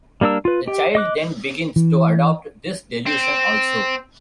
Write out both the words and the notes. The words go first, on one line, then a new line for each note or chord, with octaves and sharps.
The child then begins to adopt this delusion also.
G3 A#3 D4 A#4 E6
F4 B4
G4
D#5 D6 F#6
E3
C4